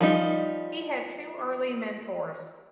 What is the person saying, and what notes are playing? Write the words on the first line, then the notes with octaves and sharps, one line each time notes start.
He had two early mentors.
F3 G3 D#4